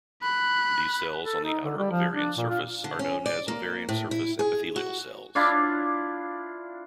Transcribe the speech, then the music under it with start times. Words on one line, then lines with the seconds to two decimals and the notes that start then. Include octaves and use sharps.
These cells on the outer ovarian surface are known as ovarian surface epithelial cells.
0.22 B5 F#6
1.24 A4
1.44 D#4
1.65 D3
1.78 G3
1.91 F3
2.14 D4
2.37 A#2
2.49 F4
2.84 D3
2.99 C#4
3.26 D5
3.48 A#3
3.89 A2
4.11 E4
4.39 G#4
4.76 F#4
5.35 D4 E4 F4 D5